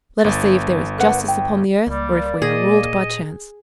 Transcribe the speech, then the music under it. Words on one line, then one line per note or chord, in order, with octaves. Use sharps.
Let us see if there is justice upon the earth, or if we are ruled by chance.'
G1 A6
A#4 B4 F#5
G5
C#2 G3 A#3 D5
A#2 G#4 D#5